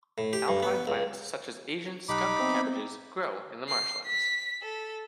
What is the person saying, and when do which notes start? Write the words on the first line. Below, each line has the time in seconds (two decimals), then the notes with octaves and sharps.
Alpine plants such as Asian skunk cabbages grow in the marshland.
0.18 A2
0.33 G4
0.48 G2
0.63 B3
0.87 C#2
2.09 B1 D#4 G4 B5 D6 F#6
2.39 B3 C4 E5
3.69 C7
4.06 B6
4.62 A4